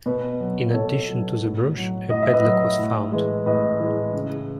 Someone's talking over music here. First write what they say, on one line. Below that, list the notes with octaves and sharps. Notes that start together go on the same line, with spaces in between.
In addition to the brooch, a padlock was found.
B2 B4
F#3
B2 A4 C#5
F#3
A2
F#3
A2 D#5
E5
B4 D#5
F#3
A2
E3 G#3
A2 B4 D#5
E3 G#3
C#3